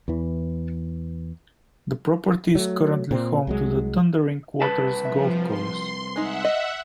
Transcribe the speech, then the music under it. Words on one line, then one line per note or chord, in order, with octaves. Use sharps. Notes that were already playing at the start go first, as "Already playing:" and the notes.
The property is currently home to the Thundering Waters Golf Course.
E2 E3
F#3 A3
A#2 C4
C2 F#3 G#3
C2 B4 A5
F3 E5
C6
G#3 D#4 E5 F#5
D#5